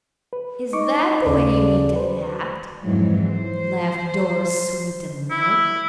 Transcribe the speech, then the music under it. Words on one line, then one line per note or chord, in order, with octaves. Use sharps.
"Is that the way you mean to act?" laughed Doris, sweet and low.
B4
D#4 D#5 C#6 D6
D#2 C#3 A4 D5 D6
F#3 B4 C5
F2 G#2 E3 F#3
C5
E4